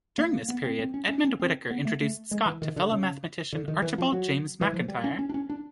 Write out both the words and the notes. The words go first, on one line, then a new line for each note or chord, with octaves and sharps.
During this period Edmund Whittaker introduced Scott to fellow mathematician Archibald James Macintyre.
A#3
A#3
B3
C4
C4
C#4
C#4
C#4
C4
B3
A3
A3
G#3
E3
D#3
D3
C#3
D3
D#3
E3
F3
F#3
E3
F3
G3
C#4
C#4
D4
C#4
D4